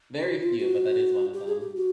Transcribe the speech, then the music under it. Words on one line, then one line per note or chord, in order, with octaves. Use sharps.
Very few, but that is one of them.
F#4
F4
F#4
G4
G#4
G4
F#4